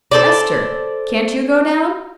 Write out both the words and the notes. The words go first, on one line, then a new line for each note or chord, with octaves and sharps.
Ester, can't you go down?
A4 C5 D5